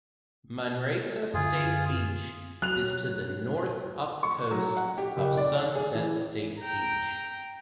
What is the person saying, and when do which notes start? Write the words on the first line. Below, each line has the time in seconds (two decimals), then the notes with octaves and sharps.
Manresa State Beach is to the north-upcoast of Sunset State Beach.
1.34 F#2 D3 F4 G#4
2.62 F#3 F#6 F7
4.23 C#6
4.51 F#3
4.77 F#5
4.98 G4
5.17 F#1
5.37 D5
5.52 C#5
5.75 G#4
5.95 E3
6.60 G5 A#5